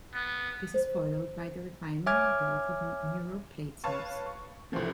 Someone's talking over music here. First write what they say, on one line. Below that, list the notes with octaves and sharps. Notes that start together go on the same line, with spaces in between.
This is followed by the refinement and growth of neural plate cells.
B3
C5
C#5 E5 G#5 D6 F6 G#6
B4 C#5 F5 A5 C#6
C#6
C2 D3 E3 F3 A3